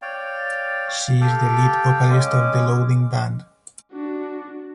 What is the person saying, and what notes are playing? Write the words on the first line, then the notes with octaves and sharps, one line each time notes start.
She is the lead vocalist of "The Loading Band".
C#5 D5 F5 G5
G4 A4 F5 G5
G#3 C#4 D6
D4 F#4